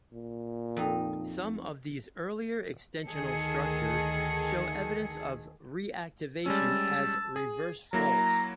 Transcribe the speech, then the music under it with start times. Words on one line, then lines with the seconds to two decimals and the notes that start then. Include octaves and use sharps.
Some of these earlier extensional structures show evidence of reactivation as reverse faults.
0.13 A#2
0.77 F2 D#4
3.07 D2 D#3 G#4 A4 C#7
6.46 G3 G#3 C#4 A5 E6
7.36 G#4
7.93 F#3 A#3 E4 A#5